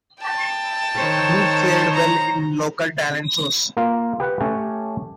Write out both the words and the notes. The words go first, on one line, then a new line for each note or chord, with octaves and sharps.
The group fared well in local talent shows.
G5 A5
D#3 C5 C#5
A#5
A#3 F4
G4 B4 F#5
A3 C#4 G4 C#5 A5